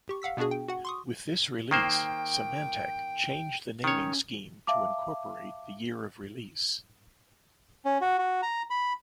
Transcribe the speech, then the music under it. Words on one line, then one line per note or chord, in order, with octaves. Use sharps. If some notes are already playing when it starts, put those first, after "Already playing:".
With this release, Symantec changed the naming scheme to incorporate the year of release.
G4 C#6
F5 F#5 E6 B6
B2 B3 D4 F#4 G#4
G5
F#4 F#5
C6 C#6 D#6
D#3 A#3 C5 G5
D#3 C#4 C#5
E5 F5 A5 D6
C#4
F#4
F#4
A#5
B5